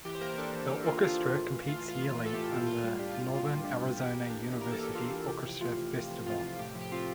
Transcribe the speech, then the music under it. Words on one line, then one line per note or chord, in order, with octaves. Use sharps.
The orchestra competes yearly in the Northern Arizona University Orchestra Festival.
E3 G4
C5
A#3 A#4
D4 A4
E3
E3 G4
A#3 F4
D4 F4
E3
A2
E3
A3 F4
A2 F4
A2
E3
A4
A3 G4
A2
A#2 F4
G3
D4 G4
A#2 F4
A#2 F4
G3
D4 G4
A#2
E3 G4
A#3
D4
E3
E3 A#4
A4
A#3 G4
D4 F4
E3
C3 G4
F3
A3 F4
C3
C3
F3
A3 F4
C3
A2 G4
F3
G4
C4 F4